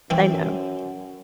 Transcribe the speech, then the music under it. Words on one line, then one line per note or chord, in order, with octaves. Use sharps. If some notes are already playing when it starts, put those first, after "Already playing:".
they know.
F#2 E3 C4